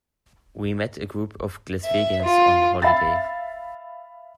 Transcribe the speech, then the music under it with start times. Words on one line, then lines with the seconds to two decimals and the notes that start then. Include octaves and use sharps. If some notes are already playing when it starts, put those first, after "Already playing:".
We met a group of Glaswegians on holiday.
1.85 E5
2.22 F4
2.82 E5 F5 B5 A6